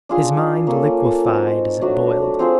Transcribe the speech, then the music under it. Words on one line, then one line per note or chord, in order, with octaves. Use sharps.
His mind liquefied as it boiled.
D4 F4 G#4
A#3 C#4 F4 A4
C4 D#4 F#4 A4
F#3 A3 D4 F#4
C4 F4 G#4 C5